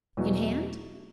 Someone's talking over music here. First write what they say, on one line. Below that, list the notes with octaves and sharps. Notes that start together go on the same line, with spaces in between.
"In hand?"
E2 B2 F#3